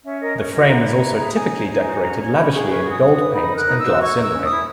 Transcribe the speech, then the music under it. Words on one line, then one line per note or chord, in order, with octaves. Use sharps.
The frame is also typically decorated lavishly in gold paint and glass inlay.
C#4 E5
A#4 D#5
C#4 C#5
F#4 D#5
E4 A#5
C#5
E4
G#4
D#4 G#5
C#5
D#4
F#4
C#4 A#5
C#5 A#5
C#4 B5
G#4 C#6
B4 C#6
F#4
D#6
F#4
B4 D#6
D#4 B5
A#4
F#6
D#4
E6
F#4
C#5 C#6
A#4
E6
C#4
D#6
E4